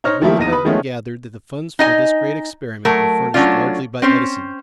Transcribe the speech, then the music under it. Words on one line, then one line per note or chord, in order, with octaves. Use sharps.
It will have been gathered that the funds for this great experiment were furnished largely by Edison.
D#4 C5 C#5 F6 A#6
D#3 F3 A3 A#3 E4
E2 D#4 A#6 D#7
B4 B5 D#6
D#3 F3 G#3 A3 B3 C#4
D#4 D#5 G#5
F#3 A3 A#4
F#3 A3 C#4 D4 F4
C4 C#4 C5